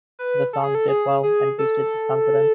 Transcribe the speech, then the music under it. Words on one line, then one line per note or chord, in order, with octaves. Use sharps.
The song did well, and boosted his confidence.
B4
A4
G#4
A4
G#4
G#4
A4